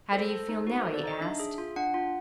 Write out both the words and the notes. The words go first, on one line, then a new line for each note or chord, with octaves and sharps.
"How do you feel now?" he asked.
A4 C5
A4
D#4
F#4 B4
A4 C5
D5
D#4 D#5
D4 E5
G#4
F4
D4 F#5
F4